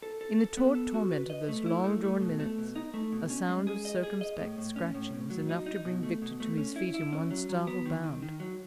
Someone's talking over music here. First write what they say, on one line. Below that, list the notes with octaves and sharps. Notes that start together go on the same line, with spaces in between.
In the taut torment of those long-drawn minutes a sound of circumspect scratching was enough to bring Victor to his feet in one startled bound.
A4
A4
A4
B3
A4
F#4
B4
D#5
A3
E4
A3
A3
B2
A3
B2
D#4
A3
B2
C#4
G#3
G#4
D#5
G#4
D#5
A2
A2
C#4
A2
A2
F#3
D#4
D#4
B2
A3
B2
A3
C#4
E4
E4
C#4
F#3
F#3
B3
D#3
D#3
D#3
F#3